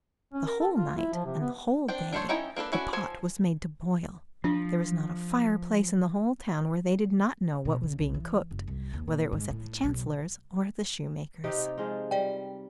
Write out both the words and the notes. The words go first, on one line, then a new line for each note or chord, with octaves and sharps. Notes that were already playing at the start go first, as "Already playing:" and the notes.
The whole night and the whole day the pot was made to boil; there was not a fire-place in the whole town where they did not know what was being cooked, whether it was at the chancellor's or at the shoemaker's.
C#4
A#4
A4
F4
E4
F3
C3
B3
C4 D4 G5
D4 A4 A#4 C5 C#5
C#4 D#4 E4 G5 A#5
A#3 D4 A4 B4
C#4 D4 E4 F#4
F3 A4 G#5
F3 D4
B2
D3
B1
E3
F#1
C2
D#2
A#2
G#2
A2
B1
C3 D#4 G4
F3 G#3 F4
G3 D5 G5